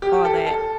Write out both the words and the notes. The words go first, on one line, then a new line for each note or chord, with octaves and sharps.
All that.
G4
A4
A4